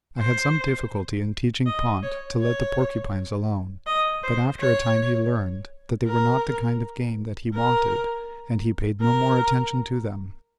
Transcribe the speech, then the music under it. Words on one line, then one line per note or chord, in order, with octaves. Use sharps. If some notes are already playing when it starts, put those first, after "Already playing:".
I had some difficulty in teaching Pont to let the porcupines alone, but after a time he learned that they were not the kind of game that he wanted, and he paid no more attention to them.
C5
D#5
C#5
C#5
D#5
C5
C#5
A#4
A#4
A#4